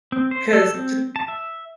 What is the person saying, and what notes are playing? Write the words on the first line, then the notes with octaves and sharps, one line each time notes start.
'cause jus
C4
C5
A4
C4
A5
E5